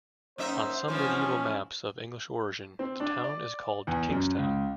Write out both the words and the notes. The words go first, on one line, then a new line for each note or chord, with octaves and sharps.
On some medieval maps of English origin the town is called Kingstown.
F#2 A#3 D#4 C5 E5
G#2 E3 F3 C#4
C4
D4
D5
E2
F#2
C#2